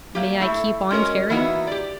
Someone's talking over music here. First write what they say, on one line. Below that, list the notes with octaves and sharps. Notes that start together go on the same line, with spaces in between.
May I keep on caring?'
F#3 A3 A#3 G4
A3 E4 A4
G#3 C#4 F#4 A#4 C#5 D#5
E3 A#3 B3 D#4 E4 F#4
G4 D5